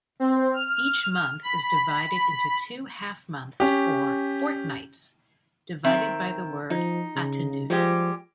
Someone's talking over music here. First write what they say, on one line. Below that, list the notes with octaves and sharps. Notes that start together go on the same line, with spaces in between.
Each month is divided into two half-months or "fortnights", divided by the word "atenoux".
C4
F6
B5
C#4 G4
D#3 C4 E5
F3 D#4
C#3
F3 G3 G#3 G4